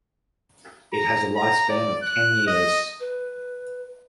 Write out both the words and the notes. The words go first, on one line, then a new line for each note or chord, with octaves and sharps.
It has a lifespan of ten years.
A#5
A#5
D5
F#6
D#5
B4